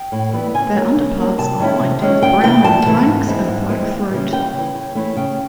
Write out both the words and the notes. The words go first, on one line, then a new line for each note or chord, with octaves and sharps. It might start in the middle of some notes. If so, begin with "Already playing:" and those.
Their underparts are white with brown on the flanks and a black throat.
Already playing: G5
A2
E3 G3 B3 E4
C#3 G#5
F#3 A#3
C#3
F#3 A#3
C3 A5
D#3 G#3 C#4 E4
C3
D#3 G#3 C#4 E4
D2 G5
C3 E3 A3 G5
D2 A5
C3 E3 A3
G#2
E3 G#3 C4 E4
G#2
E3 G#3 C4 E4
D#2
C#3 E3
D#2 G5
C#3 E3
C#3
E3 A3 C#4 E4
C#3 G5